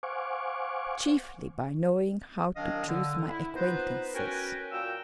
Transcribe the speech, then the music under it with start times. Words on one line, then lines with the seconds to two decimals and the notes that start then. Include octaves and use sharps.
Chiefly by knowing how to choose my aquaintances.
0.03 C5 F5 F#5 G#5 C#6 D6
2.55 C2 D#3 F#3 D4 D#5 F5
2.87 D3
3.28 E4
3.54 B3 D#4 F4 B4 C5
4.14 C#4 F#4 A#4 B4 G5 G#5
4.71 A#2 F#4 F5 G5 E6